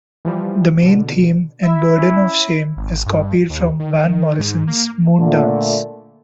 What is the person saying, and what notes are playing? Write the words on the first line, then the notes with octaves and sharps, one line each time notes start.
The main theme in "Burden of shame" is copied from Van Morrison's "Moondance".
E3 F3 G3
B2 D3
E4 E5
C#4
G#1
G2
D#2
D#3
G#2
A#3
A#2 D3 A3